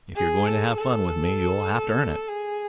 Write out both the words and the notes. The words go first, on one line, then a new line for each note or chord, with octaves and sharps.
If you're going to have fun with me you'll have to earn it.
G#4
A4
A4
G#4